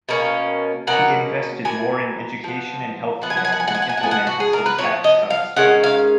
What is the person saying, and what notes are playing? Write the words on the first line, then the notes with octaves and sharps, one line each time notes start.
He invested more in education and health care, and implemented some tax cuts.
B2 A#3 C#4
B2 A#3 C#4 F#5
B2 A#3 G#5
F3 B3
F3 B3 F#5
G#5
F#5
G#5
F#5
G#5
F#5
G#5
F#5
G#5
F#5
F3 B3 G#5
F#5
F#4
G#4
A#4
B4
F3 B3 C#5
D#5
F5
D#3 G#3 C#4 F#5
F5